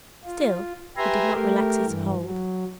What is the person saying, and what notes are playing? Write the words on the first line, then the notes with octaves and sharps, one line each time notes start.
Still he did not relax his hold.
F4
G4 B4 E5 G#5 A#5 C6
A3 G4 A#4
G2 E3
F#3